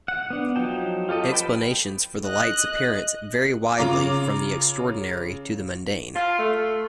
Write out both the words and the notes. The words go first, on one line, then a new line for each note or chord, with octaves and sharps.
Explanations for the light's appearance vary widely from the extraordinary to the mundane.
F#5
B3 D4
F3 F#3 D#4 G5 A5
F4 G4 A4 D#5
B4 G5 A5
D#5 F#6
C#3 F4 A#5 D6
F4
A3